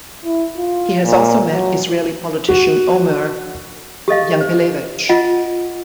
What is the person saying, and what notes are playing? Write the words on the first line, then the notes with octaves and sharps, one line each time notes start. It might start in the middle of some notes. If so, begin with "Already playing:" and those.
He has also met Israeli Politician Omer Yankelevich.
E4
F4
A#2
F#3
F#4
G4 A4 D#5 F5
C5
F4 D#5 F#5